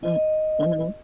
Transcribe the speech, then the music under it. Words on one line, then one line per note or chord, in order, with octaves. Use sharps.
Mm Mhm.
D#5